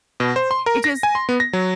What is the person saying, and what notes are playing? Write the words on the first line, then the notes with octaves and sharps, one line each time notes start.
it just
B2
C5
C6
A#4
A#6
G#5
C6
B3
A#6
F#3